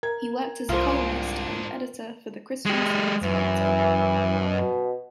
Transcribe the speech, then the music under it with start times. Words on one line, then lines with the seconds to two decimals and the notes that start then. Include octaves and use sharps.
He worked as a columnist and editor for "The Christian Science Monitor".
0.03 A#4 G#6
0.69 C2 G#2 D4 F4 C5
2.66 G#3 G4
3.22 F#2 E3
4.39 B2